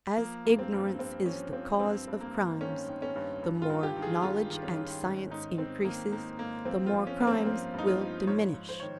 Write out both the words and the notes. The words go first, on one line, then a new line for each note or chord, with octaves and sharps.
As ignorance is the cause of crimes, the more knowledge and science increases, the more crimes will diminish.
F3 A#3
G2
C4
G2
G2 C4
F3 C#4
F3 C4
G2 C4
G2
A#3
G2
D#3 C#4
D#3
C#4
G2
G2
F4
G2
G4
D#3
G#4
G2 F4
D#3
C#4
D#3
G#2 C#4
G#2 D#4
G#2 C4
D#3 A#3
G#2 A#3
G#2 A#3
F3 C4
F4
F3
C#4
G2 A#3
C4
F3 C4
G2 D#4
F4
F3
G#2 C#5
G#2
C5
D#3 C#5